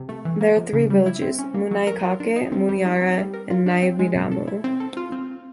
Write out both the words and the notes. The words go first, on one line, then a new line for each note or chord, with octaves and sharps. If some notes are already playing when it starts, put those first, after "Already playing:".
There are three villages, Muanaicake, Muanaira and Naividamu.
Already playing: C3
A3
E3
A#3
F3
C#3
G3
E4
C4
C#4
A#3
F#3
A#4
F4
D4
D#4
C4
G3
D#4
C4
G3
A#4
F4
D4
C4
G#3
B2
A4
E4
C4
A4
F4
C4